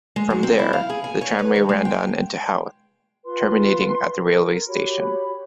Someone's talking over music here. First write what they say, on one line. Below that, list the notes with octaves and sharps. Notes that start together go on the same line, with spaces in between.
From there, the tramway ran down into Howth, terminating at the railway station.
G#3
F#3
C4
E4
F5
G#4
G#5
C#5
B4
D#3
G#3
G5
F4 B4 C6
A#4
F#4 G4 C#5 B5